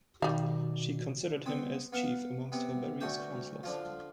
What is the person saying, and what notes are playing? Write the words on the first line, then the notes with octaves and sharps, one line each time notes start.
She considered him as chief amongst her various counselors.
B2 D#3 G3 F5
B3 C4
B3 F5 F#5
C3 B3
D2 A3 F#4 G5
D3 F3 F4